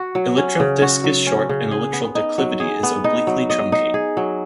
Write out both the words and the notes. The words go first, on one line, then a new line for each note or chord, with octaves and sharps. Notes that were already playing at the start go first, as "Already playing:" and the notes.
Elytral disc is short and elytral declivity is obliquely truncate.
Already playing: F#4
F#3
C#4
C#3
F#4
F#3
C#4
C#3
G#4
B3
D#4
F#3
G#4
B3
D#4
F#3
D#5
D#4
G#4
F#3